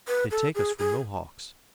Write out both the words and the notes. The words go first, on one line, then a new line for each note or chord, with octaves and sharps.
They take us for Mohawks.
B4
A4
G#4
G#4